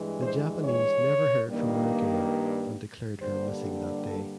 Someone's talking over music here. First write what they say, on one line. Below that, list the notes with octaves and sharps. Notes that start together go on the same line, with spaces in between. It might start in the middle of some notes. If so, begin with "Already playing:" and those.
The Japanese never heard from her again and declared her missing that day.
Already playing: G2 E3 G#3
C5
C#5
G2 D#3 G3 A#3
G2 D3 G3 A#3 C5
A4